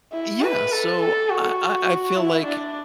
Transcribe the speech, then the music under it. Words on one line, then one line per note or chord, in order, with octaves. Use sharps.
Yeah, so I I I feel like
E4
B4
A4
A4
F#4
E4
D4